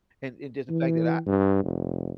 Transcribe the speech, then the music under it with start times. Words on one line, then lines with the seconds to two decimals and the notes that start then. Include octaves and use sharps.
and and just the fact that I
0.70 E3
1.26 G2
1.64 F1